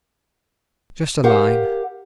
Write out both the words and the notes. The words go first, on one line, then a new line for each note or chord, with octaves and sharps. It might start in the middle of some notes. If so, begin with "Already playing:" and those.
Just a line.
G4 A#4 C5 F5 F#5